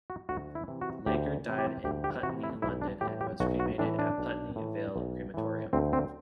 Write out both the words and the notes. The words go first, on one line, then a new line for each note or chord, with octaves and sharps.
Laker died in Putney, London, and was cremated at Putney Vale Crematorium.
F#4
D2 F#4
E4
C3 E3
F#4
D2 G4
C3 E3
G4
D2 G4
G4
C3 E3 F#4
E4
B1 E4
D4
A2 E3 G4
G4
B1 F#4
F#4
A2 E3 D4
D4
B1
A2 E3
B1
A2 E3
D2 C4
C4